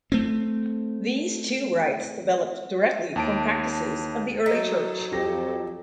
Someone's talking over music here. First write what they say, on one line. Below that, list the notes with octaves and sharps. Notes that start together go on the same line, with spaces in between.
These two Rites developed directly from practices of the Early Church.
A3 C4
D#2 A5 D7
F#3 D#4 A4
F2 G4 A#6